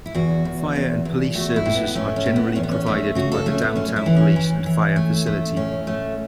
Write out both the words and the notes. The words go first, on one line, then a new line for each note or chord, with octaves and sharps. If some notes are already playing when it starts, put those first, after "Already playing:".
Fire and Police Services are generally provided by the downtown police and fire facility.
E4
E2 F#4
E2
E2
E2
A3 F#4
E4
A2
B3
A3 C#4
C#4
A2
B3
E2 C#4
B3
C#4
A3
C#3 F#4
A4
A3 C#4
B3
F#2 C#4
E4
E3
C#4
E3
E3
A3
A3
A2 C#4
A3